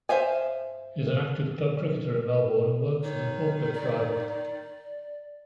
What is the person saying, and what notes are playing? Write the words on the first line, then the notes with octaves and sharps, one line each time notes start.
He is an active club cricketer in Melbourne and works as a forklift driver.
C5 E5 F5 G#5
D#3 C#5
D5